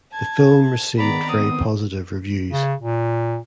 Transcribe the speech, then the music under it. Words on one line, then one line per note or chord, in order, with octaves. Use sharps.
The film received very positive reviews.
A5 G#6
D#3 B3 G#4 D5 A#5 B5
C4 D#6
C#3
A#2